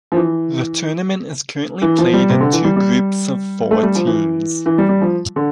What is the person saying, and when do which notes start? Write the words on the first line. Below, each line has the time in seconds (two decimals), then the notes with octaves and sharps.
The tournament is currently played in two groups of four teams.
0.12 F3
0.17 E3
1.82 E3
1.98 F3
2.13 G3
2.30 C3
2.41 D3
2.52 E3
2.64 G3
2.77 G3
3.71 A3
3.83 G3
3.95 F3
4.07 E3
4.66 E3
4.78 G3
4.89 G3
5.01 F3
5.36 D3